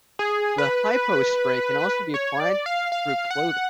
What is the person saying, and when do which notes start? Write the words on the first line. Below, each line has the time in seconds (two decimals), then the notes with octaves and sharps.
The hypospray can also be applied through clothing.
0.19 G#4
0.58 B4
2.14 C#5
2.40 D5
2.66 F5
2.92 F5
3.31 F#5